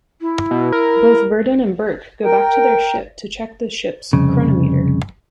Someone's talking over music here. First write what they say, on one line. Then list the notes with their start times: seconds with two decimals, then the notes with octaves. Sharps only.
Both Virdon and Burke go back to their ship to check the ship's chronometer.
0.21 E4
0.51 B2
0.72 A#4
2.24 A#4 G5
4.13 C2 F2 C#3